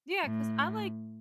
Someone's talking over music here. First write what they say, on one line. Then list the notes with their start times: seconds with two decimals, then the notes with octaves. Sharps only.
Yeah 'cause I like
0.24 A2